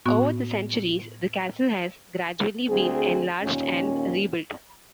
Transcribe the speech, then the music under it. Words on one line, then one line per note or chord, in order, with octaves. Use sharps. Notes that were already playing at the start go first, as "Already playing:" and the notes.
Over the centuries, the castle has gradually been enlarged and rebuilt.
A2 B3 F#4 C#6
D2 C4 G#4
D#2 A#2 C#4